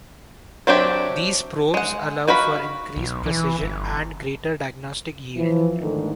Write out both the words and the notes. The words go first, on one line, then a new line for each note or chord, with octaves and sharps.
These probes allow for increased precision and greater diagnostic yield.
F#3 C4 D4 G4 E5
G#3 F#5
D#3 F#4 F5 B5
B1
E3
G1
E3 F3
G#2 D3 D#3 A3